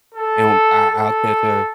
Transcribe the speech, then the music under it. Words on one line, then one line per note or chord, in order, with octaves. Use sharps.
and I I'll catch her
A4
A4